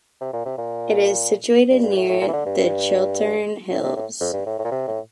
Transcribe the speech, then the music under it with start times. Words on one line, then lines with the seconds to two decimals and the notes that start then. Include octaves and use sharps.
It is situated near the Chiltern Hills.
0.21 C3
0.33 A#2
0.45 C3
0.58 A#2
1.70 G2
1.83 G2
1.96 A2
2.09 A2
2.21 A#2
2.28 E3
2.33 D3
2.46 G2
2.58 G2
3.71 A2
3.84 C3
3.96 A2
4.20 F2
4.33 G2
4.46 A2
4.59 A2
4.64 A#2
4.71 C3
4.87 A2